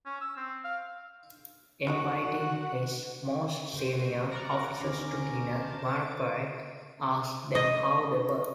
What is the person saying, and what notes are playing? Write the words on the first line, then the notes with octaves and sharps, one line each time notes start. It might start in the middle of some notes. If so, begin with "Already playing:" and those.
Inviting his most senior officers to dinner, Bonaparte asked them how they were.
C#4
E6
C4
F5
E3 F#3 D#4 F#4 F#5
F#1 F#4 G4 C5
A#4 D5 F#5 A#5
D2 C4 C#4
C5 A5
A6 D7
D#5